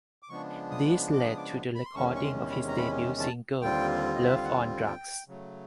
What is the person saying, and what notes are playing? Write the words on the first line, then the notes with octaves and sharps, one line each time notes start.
This led to the recording of his debut single "Love on Drugs".
D6
C#3 F3 G#3 B3 D4 C#6
D#6
D6
D#6
D6
B5
C6
E2 C3 D#3 G#3 C#4 C#6
C#6
C6
B5
A#5
B5
A5
D#2 D3 G3 C4 F4 G5
D#5
E5
F5
F#5
G5
C#3 F#3 A3